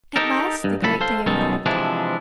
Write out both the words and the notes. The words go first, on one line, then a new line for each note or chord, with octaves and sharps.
At last the great day arrived.
D#4 G4 A4 A#4
G2
C#2 F#2 A2 A4 B5
A4 C5 F5 C6
F#2 B2 D#3 G#3 A4
C3 E3 F3 G#3 D4 E4